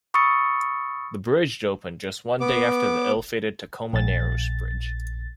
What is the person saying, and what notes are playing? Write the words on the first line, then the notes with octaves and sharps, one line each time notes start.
The bridge opened just one day after the ill-fated Tacoma Narrows Bridge.
B5 C#6 D#6 E6 A6 C#7
B3 D6
A#1 A6